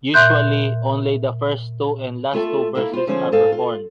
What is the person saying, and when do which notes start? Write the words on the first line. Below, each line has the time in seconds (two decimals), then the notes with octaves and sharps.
Usually, only the first two and last two verses are performed.
0.14 A#2 E5 C6 F#6 G6
2.33 A3 F4 A4 E5 G#5 A5
2.75 A#3 E4 A4 E5
2.93 F4 C5
3.07 D3 F3 A3 C#4 G#4 C5
3.32 G#2 G#4 A4 F5
3.52 F4